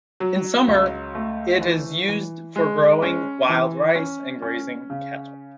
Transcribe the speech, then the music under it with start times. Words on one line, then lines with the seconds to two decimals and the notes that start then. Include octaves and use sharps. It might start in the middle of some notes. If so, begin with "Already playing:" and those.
In summer it is used for growing wild rice and grazing cattle.
0.20 F#3
0.68 C#2
1.15 A3
1.61 E3
2.08 E3
2.56 G#3
3.02 C#4
3.49 E3
3.95 C#4
4.42 C#4
4.90 C#3